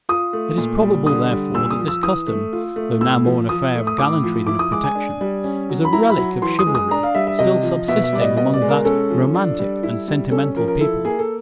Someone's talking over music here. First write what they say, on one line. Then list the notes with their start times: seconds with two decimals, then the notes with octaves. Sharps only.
It is probable, therefore, that this custom, though now more an affair of gallantry than of protection, is a relic of chivalry still subsisting among that romantic and sentimental people.
0.09 F4 D#6
0.33 A3
0.58 A#2
0.82 G3
1.06 D3 D#6
1.30 G3
1.54 A#2 E6
1.71 D#6
1.79 F3
1.88 E6
2.03 E3 D#6
2.27 A3
2.53 F4
2.76 A3
3.01 A2 E6
3.25 F3
3.49 F3 D#6
3.75 A3
3.87 D#6
3.98 A2 D6
4.23 F3
4.47 E4 D6
4.59 D#6
4.71 G#3 D6
4.84 G#5
4.95 D4
5.21 G3
5.44 C#4
5.70 F#3
5.85 B5
5.93 E4 A#5
6.10 B5
6.17 F#3
6.42 E3 C6
6.59 D#6
6.66 G#3
6.75 D#6
6.91 D4 A#5
7.03 F5
7.15 G3 E5
7.27 E5
7.39 C3 D#5
7.63 F3
7.88 B2 E5
8.04 E5
8.13 G3 D5
8.21 D#5
8.37 B2 D#5
8.54 D5
8.62 G#3
8.69 A#4
8.85 C#4 A4
9.10 F3
9.35 D4
9.59 G3
9.83 E4
10.08 G3
10.31 C#4 A4
10.56 F3 A#4
10.68 A#4
10.81 E4 A4
11.05 A#3 G#4
11.19 A4